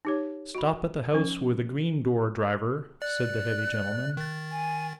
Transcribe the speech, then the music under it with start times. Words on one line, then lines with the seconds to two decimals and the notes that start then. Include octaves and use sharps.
'Stop at the house with a green door, driver,' said the heavy gentleman.
0.05 D#4 G4 C#5
0.55 F#4 B5
1.13 F3 C#4
3.02 D5 F#6
4.17 D#3 A6
4.51 G#5